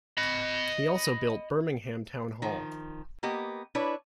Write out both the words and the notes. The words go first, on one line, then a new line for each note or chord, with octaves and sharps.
He also built Birmingham Town Hall.
D#5 B5
D#3 F3
A#3 B3 G4 D#5
D4 E4 B4 C#5 D5